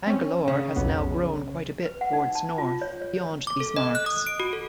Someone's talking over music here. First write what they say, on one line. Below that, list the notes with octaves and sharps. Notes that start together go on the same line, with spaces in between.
Bangalore has now grown quite a bit towards north, beyond these marks.
C4 C#4
C#3
B1 F2 B3
B4
F#5
D#4
A5
F4
C#5
C#5
D6
A4
D#5
F#6
D#6
D7
F#4
A4